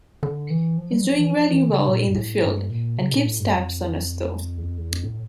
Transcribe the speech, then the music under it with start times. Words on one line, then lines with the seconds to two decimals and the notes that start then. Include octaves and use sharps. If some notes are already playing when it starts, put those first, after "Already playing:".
He's doing really well in the field and keeps tabs on us though.
0.23 D3
0.50 E3
0.77 F3
0.92 G3
1.05 F3
1.18 E3
1.32 F3
1.50 E3
1.69 C#3
1.87 A#2
2.07 G2
2.15 A2
2.43 G2
2.70 A#2
2.98 C#3
3.12 A#2
3.26 A2
3.40 G2
3.53 F2
4.58 E2
4.63 F2
4.78 E2
4.91 F2
5.05 A2